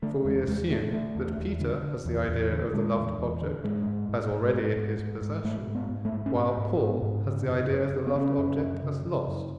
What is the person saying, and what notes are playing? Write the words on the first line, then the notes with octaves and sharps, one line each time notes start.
For we assume that Peter has the idea of the loved object as already in his possession, while Paul has the idea of the loved object as lost.
D3 A3
E2 G#3
E2 G#3
D3 A3
D3 A3
E2
E2
D3
D3
E2
E2
D3
D3 G#3
E2
E2
D3
G#2 G#3
G#2
G#2
G#2
G#2
G#2
G#2
G#2
G#2 A3
G#2
B3
G#2
A3
G#2
C#4
G#2 B3
G#2
G#2
G#2
C#3
F#2
F#2
C#3
B3
C#3 C#4
F#2
F#2
C#3
C#3
F#2